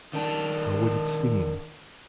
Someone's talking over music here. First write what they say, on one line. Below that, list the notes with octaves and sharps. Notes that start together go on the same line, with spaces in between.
How would it seem?
D#3 D4